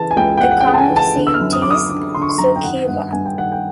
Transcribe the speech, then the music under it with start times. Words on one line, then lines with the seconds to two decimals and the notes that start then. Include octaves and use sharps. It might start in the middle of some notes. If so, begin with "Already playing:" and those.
The county seat is Suceava.
Already playing: C#3 E3 A5
0.11 G#5
0.17 C#2 G5
0.37 G5
0.41 C#2 F#5
0.51 F#5
0.60 G5
0.67 C#3
0.74 A5
0.78 G#5
0.90 E3
0.96 A5
1.16 D3
1.27 E6
1.34 F6
1.40 F#2
1.53 D#6
1.62 F#2 D6
1.70 D#6
1.89 D3 D6
2.15 D3 C6
2.22 C#6
2.29 C6
2.38 F#2 A#5
2.56 G5
2.63 D#3 F#5
2.88 G2 F#5
3.12 G2 G#5
3.26 G5
3.38 D#3 F#5
3.52 G5